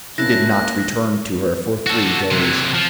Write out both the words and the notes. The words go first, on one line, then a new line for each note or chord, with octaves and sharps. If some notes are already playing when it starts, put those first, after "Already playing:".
He did not return to her for three days.
A#3 C#4 E4 A5 F#6 A#6
F#4 A4
C3 E3
F3